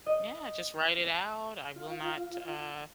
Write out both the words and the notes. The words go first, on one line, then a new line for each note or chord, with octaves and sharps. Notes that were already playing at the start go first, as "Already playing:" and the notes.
Yeah, just write it out, "I will not, uh,
D#5
F4